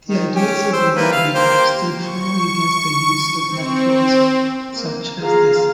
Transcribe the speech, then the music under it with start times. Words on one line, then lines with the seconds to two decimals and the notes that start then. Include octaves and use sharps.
The ideals of miyabi stood firmly against the use of metaphors such as this.
0.07 D#3
0.34 C#4 G4
0.73 C5 E6
0.95 G3 A#3 B4
1.12 F5
1.34 A#3 G4 C5
1.99 C#6
3.45 C4
4.75 A#3
5.21 F4 G#4 F5 A#5